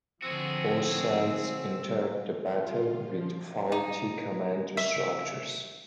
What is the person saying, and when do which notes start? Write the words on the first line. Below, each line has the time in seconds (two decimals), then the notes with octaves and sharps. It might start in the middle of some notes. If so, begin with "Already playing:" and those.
Both sides entered the battle with faulty command structures.
0.22 D3 F3 C4 F#4 G#4 E6
2.50 F4
2.99 F3
3.72 D#4
4.77 E5